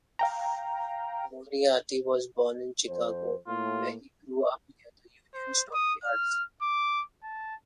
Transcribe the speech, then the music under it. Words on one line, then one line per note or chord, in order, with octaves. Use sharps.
Moriarty was born in Chicago, where he grew up near the Union Stock Yards.
F5 G5 A#5
F2 C5
A2 A#3 F4
C5
D#6
F6
D6
A5